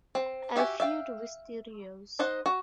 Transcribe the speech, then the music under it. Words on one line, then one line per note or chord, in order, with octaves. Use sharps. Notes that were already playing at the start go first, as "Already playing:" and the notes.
I feud with studios.
C4
F#4 G4 E5 G5 G#5
E5 F5 G5
D#4 C5 D#5 F#5
F#4